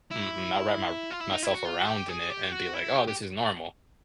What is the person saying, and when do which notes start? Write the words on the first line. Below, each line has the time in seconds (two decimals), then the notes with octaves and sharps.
Mhm, not wrap my r myself around in it and be like, "Oh this is normal."
0.11 E4
1.11 F4
1.21 E4
1.32 D#4
1.43 E4
1.54 F#4
1.65 F4
1.87 G4
2.09 G#4
2.31 G4
2.52 F#4
2.74 E4
2.96 G4
3.08 G4